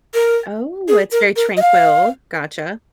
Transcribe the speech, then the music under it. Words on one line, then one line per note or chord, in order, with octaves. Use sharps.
Oh, it's very tranquil, gotcha.
A#4
G#4
A#4
A#4
D#5
F5